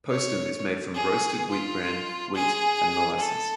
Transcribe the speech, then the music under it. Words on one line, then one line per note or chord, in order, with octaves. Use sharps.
Postum is made from roasted wheat bran, wheat and molasses.
C#5
G#4
F4
G#4
A4